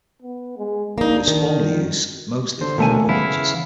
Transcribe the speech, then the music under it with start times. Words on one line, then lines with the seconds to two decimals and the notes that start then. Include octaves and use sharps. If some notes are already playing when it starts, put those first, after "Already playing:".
It was formerly used mostly for football matches.
0.22 B3
0.58 G#3
0.98 A#3 D4 D#4
1.28 D#3
2.61 D3 C5
2.78 D#2 B2 D3 A3 A#3 G#5
3.09 C#3 E3 B3 E4 F5